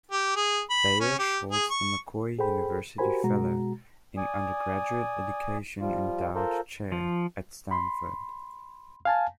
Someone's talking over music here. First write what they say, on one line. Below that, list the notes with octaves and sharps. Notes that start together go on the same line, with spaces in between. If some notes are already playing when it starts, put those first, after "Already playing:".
Byers holds the McCoy University Fellow in Undergraduate Education endowed chair at Stanford.
G4
G#4
B5
C#4
G4
G#4
C#6
G#4 A4 C5 G5 B5
F#4 G4 A#4 C5 G#5 B5
B2 G#3 F#4 A#5
D5 G#5 D#6
F3 G3 F4
F4 A4 A#4 C5
F3
B5 C6
F5 G#5 A5